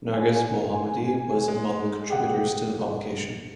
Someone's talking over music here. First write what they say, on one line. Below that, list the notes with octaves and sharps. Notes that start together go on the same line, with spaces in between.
Narges Mohammadi was among the contributors to the publication.
G#5
G#3
G4 G#4 F#5 G5